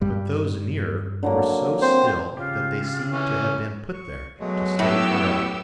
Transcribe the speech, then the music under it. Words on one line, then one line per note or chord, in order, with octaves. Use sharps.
But those nearer were so still that they seemed to have been put there to stay forever.
G2 G3
D3 F#3 A#3
C4 C5
C#3 F4 G4
E3 C#4
C#6
B2 F#3 G#3 A3
F#2 A2 B3 E4 G4 C#6 E6